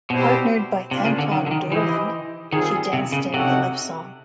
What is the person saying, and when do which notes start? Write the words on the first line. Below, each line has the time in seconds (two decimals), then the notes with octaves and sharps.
Partnered by Anton Dolin, she danced in "The Love Song".
0.10 B2 G3 C4 E4 G4 C5
0.91 C3 A#3 D4 F4
1.05 C#3
1.19 D3
1.32 D#3
1.46 D3
1.51 D#3
1.72 E3 E4 G4 C5 D#5
2.52 D#3 G3 C4 F4 G#4
2.93 C3
3.12 C#3
3.33 C3 D#4 F#4 A4 C#5 F#5